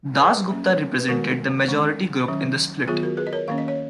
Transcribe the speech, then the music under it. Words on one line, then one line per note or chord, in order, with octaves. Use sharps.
Dasgupta represented the majority group in the split.
G#4 B4
F#3 A#3 C#4
B4
D#3 G#3 B3 F#4 A#4
D#3 G#3 C#4
D#3 F#3 C#4
D#3 F#3 B3 F4 G#4
F#4 A#4
G#4 B4
D#5
A#4 C#5
D#3 A#3 C#4 F5
D#5
C#5